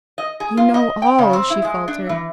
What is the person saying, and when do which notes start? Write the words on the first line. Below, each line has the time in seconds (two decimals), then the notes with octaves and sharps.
"You know all!" she faltered.
0.18 D#5
0.40 G#4
0.57 F4
0.74 D#5
1.02 G5
1.18 C#3
1.33 C4
1.50 E4
1.65 G#3
1.88 D4
2.09 E3